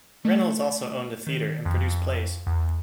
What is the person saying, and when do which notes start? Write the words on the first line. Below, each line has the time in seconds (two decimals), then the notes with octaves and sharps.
Reynolds also owned a theater and produced plays.
0.25 A3
1.27 D#3
1.65 F2
2.47 E2